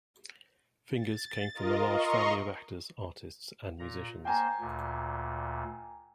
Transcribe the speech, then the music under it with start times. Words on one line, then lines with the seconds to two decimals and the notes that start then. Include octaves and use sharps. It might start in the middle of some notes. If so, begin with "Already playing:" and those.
Fingers came from a large family of actors, artists and musicians.
0.94 A6
1.53 F4 A#4 D#5
1.87 D#5 A#5 C6 C#6
3.79 A#2 A#5
4.25 A#3 C5 G5 G#5 A#5
4.60 D2 A#2